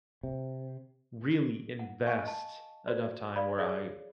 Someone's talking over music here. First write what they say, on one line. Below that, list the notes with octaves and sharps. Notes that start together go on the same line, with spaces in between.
really invest enough time where I
C3
F#5
F5 G#5 C#6
D#5 A5
F#4 C5 D5
D5 F5 B5
G#4 C#5 D5